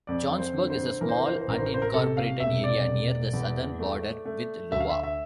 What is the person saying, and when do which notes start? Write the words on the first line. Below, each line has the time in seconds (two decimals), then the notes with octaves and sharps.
Johnsburg is a small unincorporated area near the southern border with Iowa.
0.07 F2 D5
0.38 C5
0.54 D3
0.70 C5
1.01 E3 A#4
1.09 C5
1.18 A#4
1.26 C5
1.33 A#4
1.41 C5
1.47 A1 A#4
1.58 C5
1.66 A#4
1.74 C5
1.82 A#4
1.94 C3 A4
2.17 F5
2.40 E1 E5
2.64 D5
2.87 E1
3.33 E2
3.79 A3
4.25 A3
4.72 D2 E5
4.80 F5
4.90 E5
5.03 E5